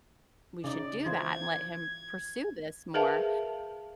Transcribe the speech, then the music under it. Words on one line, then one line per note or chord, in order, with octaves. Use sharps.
we should do that and let him pursue this more."
C#3 D#4 D5
E3 F4 C5 G#6
G#6
G#4 A#4 B4 E5 F5 A5